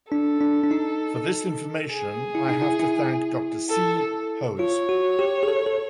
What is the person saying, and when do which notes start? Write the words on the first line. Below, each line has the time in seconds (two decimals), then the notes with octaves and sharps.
For this information I have to thank Dr. C. Hose.
0.11 D4 A4
0.41 D4
0.64 D4
0.71 D#4
1.90 G#4
2.35 E4
2.49 D#4
2.62 E4
2.80 E4
3.69 A4
3.99 A4
4.59 F4 C#5
4.89 F#4
5.19 G4
5.43 G#4
5.48 A4
5.66 A4